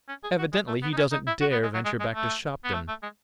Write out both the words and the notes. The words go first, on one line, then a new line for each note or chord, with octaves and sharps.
Evidently he doesn't dare venture back to Shopton.
C#4
G#4
F#4
G#3
A3
B3
D#4
C#4
D#4
E4
F#4
B3
G#3
F#3
G#3
G#3
A3
B3
A3
A3
G#3